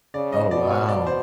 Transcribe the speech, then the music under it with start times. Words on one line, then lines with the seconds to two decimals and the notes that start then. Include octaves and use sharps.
Oh wow.
0.14 C#3 D5
0.32 D#5
0.51 B2 D5
0.70 C#5
0.88 B2 D5
1.07 C5